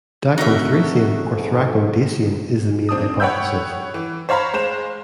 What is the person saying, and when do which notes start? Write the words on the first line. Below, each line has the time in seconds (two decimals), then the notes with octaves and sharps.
Daco-Thracian or Thraco-Dacian is the main hypothesis.
0.38 A3 C4 D#4 F#4 A#4 E5 F#5
1.28 B1 G#2
2.89 C4 D4 D#6
3.20 C#5 F#5 G5 B5 E6 G6
3.94 E3
4.29 C5 C#5 F5 A#5 B5
4.53 G#3 C5 E7